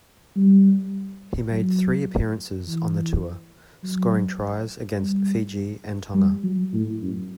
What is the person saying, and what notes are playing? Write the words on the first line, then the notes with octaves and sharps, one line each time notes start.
He made three appearances on the tour, scoring tries against Fiji and Tonga.
G3
F#3
E3
F#3
G3
G3
F#3
A2
F#2